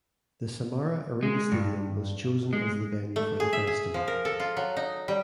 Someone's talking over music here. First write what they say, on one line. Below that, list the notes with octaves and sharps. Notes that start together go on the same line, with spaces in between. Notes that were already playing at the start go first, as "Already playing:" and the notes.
The Samara Arena stadium was chosen as the venue for the festival.
G#3
G2
G#3
A3
G#4
E5
G#4
F3
A#4
A4
F4
F#3
D#4
G3